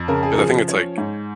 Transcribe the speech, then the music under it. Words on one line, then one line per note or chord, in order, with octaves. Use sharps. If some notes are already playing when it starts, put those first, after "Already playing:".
'cause I think it's like
Already playing: F2
C#3 A#4
G#4
A#4
F3 G#4
C#4 C#5
G#2